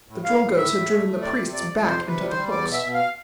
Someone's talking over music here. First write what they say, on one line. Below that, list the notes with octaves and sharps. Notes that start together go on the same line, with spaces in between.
The Drilgoes had driven the priests back into the hooks.
A2
A2 F5
A2
A2 E5
A2
A3
A2
C3 D5
C3
F2 D5
F2
C3 C5
C3
B4
G3
C5
G3
E2 D5
B2
E5
B2
F5